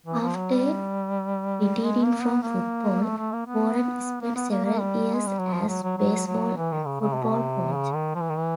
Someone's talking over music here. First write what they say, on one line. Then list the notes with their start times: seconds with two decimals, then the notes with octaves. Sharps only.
After retiring from football, Warren spent several years as baseball and football coach.
0.07 E3
0.21 F3
0.36 F#3
0.52 G3
1.85 G#3
2.04 A#3
2.23 B3
2.43 A#3
3.03 A3
3.17 A3
3.33 A#3
3.46 B3
4.21 A#3
4.36 B3
4.51 A#3
4.65 A#3
4.79 G3
5.13 G#3
5.26 G3
5.39 F#3
5.54 F3
5.68 F#3
5.83 F#3
5.98 F#3
6.27 F#3
6.57 E3
6.72 D#3
6.86 C#3
7.01 C#3
7.15 C3
7.23 B2
7.30 C3
7.74 C#3
7.94 D#3
8.15 F3
8.21 E3
8.29 D#3
8.36 E3